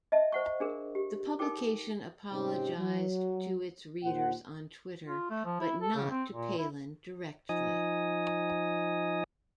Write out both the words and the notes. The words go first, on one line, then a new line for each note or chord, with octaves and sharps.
The publication apologized to its readers on Twitter but not to Palin directly.
D#5 E5 A5
C5 F#5 C#6
D4 G#4 A#4
G4
D#4 A4 A#4 G5 D6
G#2 C3 C4 C#4 D#4 G4
F#3
D#2 A#2 C5 F#5
F4
A3
F3
E4
A4
C#3
C4
A#2
E4
F3 D#4 D#5 G#5 D#6